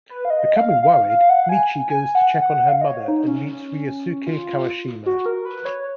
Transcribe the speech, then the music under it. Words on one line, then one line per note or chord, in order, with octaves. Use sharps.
Becoming worried, Michi goes to check on her mother and meets Ryosuke Kawashima.
B4
F5
D#5
F5
F5
F5
F#5
G#5
G#5
F#5
F#5
F5
D#5
C#5
D#4
C#4
F4
F#4
A#4
B4
C#5